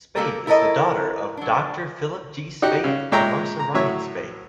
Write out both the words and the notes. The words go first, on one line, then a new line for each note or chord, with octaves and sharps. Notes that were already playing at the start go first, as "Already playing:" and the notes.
Spaeth is the daughter of Doctor Philip G. Spaeth and Marcia Ryan Spaeth.
A#3 G4 A4 A#4 A#5
E4 A4 A#4 C#5 D#5
F#3 D4
D#4 F#4 G4 F#5
C#3
A#2 G#3 C#5 E5 G5 A#5
A#5
A2 F#3 C#5 E5